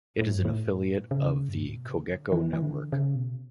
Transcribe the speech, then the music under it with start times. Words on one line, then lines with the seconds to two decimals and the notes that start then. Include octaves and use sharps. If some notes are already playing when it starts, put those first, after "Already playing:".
It is an affiliate of the Cogeco network.
0.21 A2
0.32 G2
0.45 A2
1.11 C#3
1.49 G2
1.63 A2
1.76 B2
1.89 C#3
2.02 D3
2.32 E3
2.53 E3
2.62 D3
2.92 C#3
3.15 B2